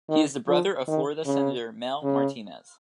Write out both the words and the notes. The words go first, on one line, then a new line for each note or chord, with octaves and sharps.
He is the brother of Florida Senator Mel Martinez.
D#3
F3
D#3
C#3
C#3